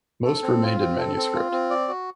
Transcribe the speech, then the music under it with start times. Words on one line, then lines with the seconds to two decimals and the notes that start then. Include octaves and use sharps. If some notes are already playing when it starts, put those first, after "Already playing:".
Most remained in manuscript.
0.24 A4
0.43 C4
0.62 F4
0.80 C4
0.98 A4
1.16 C4
1.35 F4
1.52 C4
1.70 D5
1.88 F#4